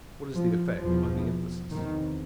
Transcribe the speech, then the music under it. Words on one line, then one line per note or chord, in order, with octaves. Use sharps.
What is the effect on the emphasis?
F3
E2 B2 F3
E2 C3 D#3